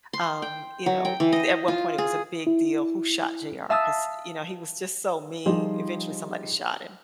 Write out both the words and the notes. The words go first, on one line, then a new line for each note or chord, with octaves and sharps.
um, you know, i th at one point, it was a big deal who shot J.R., 'cause, you know, he was just so mean, eventually somebody shot him,
C6
G5
F#3
G5
E3
D#5
F4
G#4
E4
E5 F5 A5 D#6 E6
F3 G3 D#4 F4 G#4